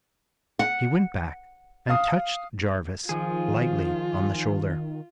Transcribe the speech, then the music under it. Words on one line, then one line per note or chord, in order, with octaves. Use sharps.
He went back and touched Jarvis lightly on the shoulder.
F#5
F5 D#6
D#3 F3 F4 G#4